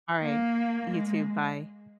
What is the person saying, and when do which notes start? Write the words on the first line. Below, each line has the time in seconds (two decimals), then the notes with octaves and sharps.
Alright, you too, bye.
0.21 A#3
0.90 G#3